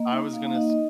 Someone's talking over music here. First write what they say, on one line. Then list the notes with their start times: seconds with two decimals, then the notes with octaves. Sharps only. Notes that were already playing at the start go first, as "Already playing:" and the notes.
I was gonna s
Already playing: A#3 D#5
0.12 D#4
0.33 A#3 F5
0.55 D#4 D#5
0.70 D#5